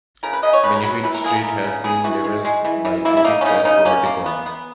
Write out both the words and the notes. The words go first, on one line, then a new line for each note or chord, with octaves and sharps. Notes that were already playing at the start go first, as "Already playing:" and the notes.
Benefits Street has been labelled by critics as "Poverty Porn".
C#3 A#4
B4
C#3 D#5
C#5
C#3 B4
A#4
F#3 B4
E3 B4
A#4
A#3 G#4
A#4
E3
C#3
B3 G#4
E3 F#4
G#3
G#3
E3
E3
A#3 E4
E4
A#3 D#4
C#4
C#3 D#4
C#3 D#4
A#3 C#4
A#3
B3
B3